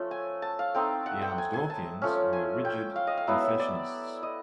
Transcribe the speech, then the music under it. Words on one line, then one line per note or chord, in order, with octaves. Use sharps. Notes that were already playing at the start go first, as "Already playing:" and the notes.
The Amsdorfians were rigid confessionists.
Already playing: F3 A3 C#4
G#5
A5
F5
A3 C4 D#4 G5
F#5
G5
G#5
G#5
A5
F3 A3 C#4
G#5
G5
F5
D#5
F5
F#3 B3 E4 E5
E5
D5
D#5